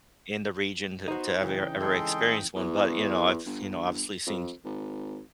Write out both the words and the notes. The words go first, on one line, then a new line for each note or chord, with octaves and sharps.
in the region to to ever- ever experience one, but, you know, I've you know, obviously seen
B3 D#4 F#4 C5
C#3 E3 D4 D#4 G5
G#3 G#4 A4
E2
G1
F2
G#1